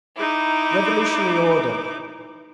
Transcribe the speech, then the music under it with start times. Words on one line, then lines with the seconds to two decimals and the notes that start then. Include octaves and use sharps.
Revolutionary order.
0.17 D#4 E4 D6